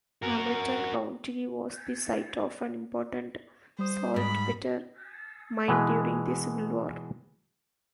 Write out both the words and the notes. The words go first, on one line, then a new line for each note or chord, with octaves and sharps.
Hamilton County was the site of an important saltpeter mine during the Civil War.
F#4 A#4
G3 C5 D#6
G#2 B5
B2 E3 G#3 B4